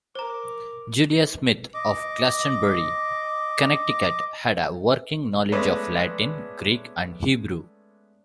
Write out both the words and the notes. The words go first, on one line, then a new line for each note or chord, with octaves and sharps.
Julia Smith, of Glastonbury, Connecticut had a working knowledge of Latin, Greek and Hebrew.
A#4 C5 A#5 D6
D#5 D6
G#3 A3 B3 C#4 B4 D5